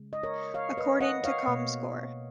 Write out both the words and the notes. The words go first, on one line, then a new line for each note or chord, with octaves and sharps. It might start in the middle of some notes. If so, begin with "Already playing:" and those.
According to comScore.
Already playing: C#3 G#3
D#5
A#4 C#5
C#5 F5
B4 D#5
D#5 F#5
C#5 F5
B2 A#3